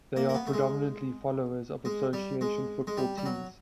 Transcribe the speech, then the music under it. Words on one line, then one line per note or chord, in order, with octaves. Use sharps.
They are predominantly followers of association football teams.
A#3
A#3
B3
A3
G#3
G#3
G3
G#3
G#3
G3
G3
F#3